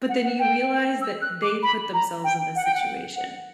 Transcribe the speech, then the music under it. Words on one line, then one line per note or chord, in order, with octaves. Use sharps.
but then you realize that they put themselves in this situation,
F#5
F#5
G5
E6
F#6
D6
B5
A#5
G5
F#5
G5
F#5
F#5